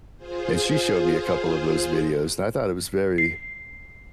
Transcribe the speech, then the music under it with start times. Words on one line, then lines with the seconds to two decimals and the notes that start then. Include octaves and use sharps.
and she showed me a couple of those videos, and I thought it was very
0.17 F4 G#4 C5
3.18 C7